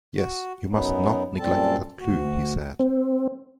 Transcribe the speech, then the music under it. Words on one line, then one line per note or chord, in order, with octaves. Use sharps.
"Yes, you must not neglect that clue," he said.
F#4
F#2 F#3 B3 D#4
F#2 A#2 G3 C4 A4 A5
D2 F#4
C4